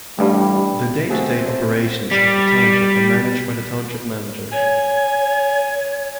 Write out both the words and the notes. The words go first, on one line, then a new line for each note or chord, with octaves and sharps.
The day-to-day operations of the township are managed by the Township Manager.
A1 G2 G3 A3 D4 G4 B5
A3 C4 F#4 G#4
G3
C#5 G#5